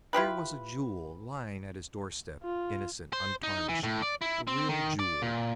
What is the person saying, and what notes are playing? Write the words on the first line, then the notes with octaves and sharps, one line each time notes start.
Here was a jewel lying at his doorstep--innocent, untarnished--a real jewel.
E4 F4 G4 B4
F4
C5
D#4
E3
A2
D5
E4
C4
D#3
D5
A#2